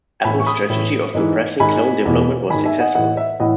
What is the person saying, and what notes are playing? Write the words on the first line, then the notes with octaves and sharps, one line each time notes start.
Apple's strategy of suppressing clone development was successful.
A2 E3 G#5 B5
C#6
B5 D#6
A2 E3
G#2 E3
G#2 D#3 G#5 B5
E2 B2
G#2 D#3 G#5 B5
E5 G#5
D#5 F#5
A2 E3 D#5 F#5
E5
A2 E3 D#5 F#5